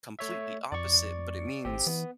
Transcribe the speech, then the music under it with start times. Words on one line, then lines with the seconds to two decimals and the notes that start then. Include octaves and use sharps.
completely opposite, but it means
0.19 A3 C#5 E5
0.72 F2 D5 C#6
1.65 G#1 C4 G4
1.87 E3 B3